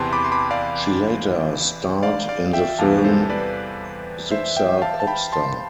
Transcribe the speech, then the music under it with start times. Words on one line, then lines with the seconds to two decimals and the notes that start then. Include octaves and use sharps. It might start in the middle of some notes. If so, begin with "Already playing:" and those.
She later starred in the film "Xuxa Popstar".
Already playing: E2 C3 E3 G5 A5 C6
0.13 B5 D6
0.24 C6
0.32 B5 D6
0.51 D5 F5
2.03 D5 F5
2.29 D5 F5
2.53 E5 G5
2.79 E2 C3 E3 G3 F5 A5
3.04 A4 C5
3.30 B4 D5
4.31 C5 E5
4.57 E5 G5
4.82 F5 A5
5.00 A5
5.07 G5 B5
5.32 A5 C6